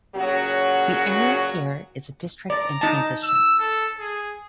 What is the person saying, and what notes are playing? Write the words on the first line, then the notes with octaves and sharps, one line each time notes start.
The area here is a district in transition.
A#2 C#3 F#3 F#4
D5 A#5
D#4 A5
E6
A4
G#4